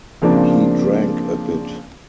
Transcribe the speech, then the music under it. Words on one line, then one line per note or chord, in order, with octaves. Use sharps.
He drank a bit.
C#3 F3 A#3 C4 D4